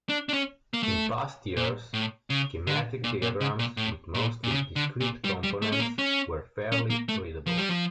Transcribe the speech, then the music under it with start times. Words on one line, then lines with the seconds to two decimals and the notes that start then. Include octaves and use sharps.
In past years, schematic diagrams with mostly discrete components were fairly readable.
0.09 D4
0.29 D4
0.34 C#4
0.74 A#3
0.83 A3
1.56 A#2
1.94 A2
2.30 C#3
2.67 D3
3.04 A#2
3.22 A#2
3.41 C#3
3.59 A#2
3.77 A2
4.14 A#2
4.44 A#2
4.51 C#3
4.76 D3
5.00 A#2
5.24 G3
5.43 G3
5.62 A3
5.72 C#4
5.80 A#3
5.99 C#4
6.72 C#4
6.90 A#3
7.09 A3
7.46 F3
7.57 G3
7.69 F3